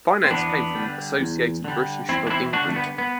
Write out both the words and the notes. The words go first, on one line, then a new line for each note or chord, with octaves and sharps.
Finance came from Associated British of England.
C4
E2 B3 D4
D3 G3
E2
D3 G3
E2 C4 E4
D4
C4 E4
D3 G3 D4 F#4
A3
B3
B3